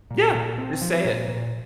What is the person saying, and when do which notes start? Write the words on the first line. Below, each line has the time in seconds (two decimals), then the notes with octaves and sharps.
Yeah. Just say it.
0.11 A#2
0.35 A#2
0.58 C4
0.81 F3
1.05 A#2
1.28 A#2